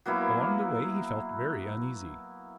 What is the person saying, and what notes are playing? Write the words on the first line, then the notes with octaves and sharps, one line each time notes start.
Along the way he felt very uneasy.
F#3 A#3 B3 E4